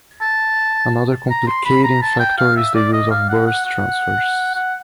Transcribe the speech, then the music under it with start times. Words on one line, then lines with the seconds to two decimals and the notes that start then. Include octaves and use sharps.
Another complicating factor is the use of burst transfers.
0.22 A5
1.30 A#5
1.48 C6
1.66 B5
1.84 A#5
2.02 A5
2.20 G5
2.38 F5
2.57 E5
2.75 D5
2.93 D#5
3.11 F5
3.29 F#5
3.47 F#5
3.65 F#5
4.55 F#5